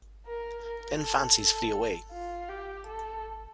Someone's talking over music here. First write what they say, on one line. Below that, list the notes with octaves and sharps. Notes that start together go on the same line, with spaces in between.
Then fancies flee away!
A#4
A#4
A4
A4
F4
G4
A4